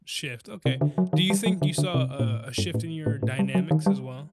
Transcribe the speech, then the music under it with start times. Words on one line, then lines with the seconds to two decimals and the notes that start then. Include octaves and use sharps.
shift, okay. Do you think you saw, uh, a shift in your dynamics, as well?
0.66 C3
0.81 D3
0.98 F#3
1.13 D#3
1.30 G3
1.46 F#3
1.62 D3
1.78 D3
1.94 C3
2.19 A#2
2.27 A2
2.58 G2
2.74 A2
3.06 A2
3.23 A2
3.39 G3
3.55 F#3
3.71 D#3
3.86 G3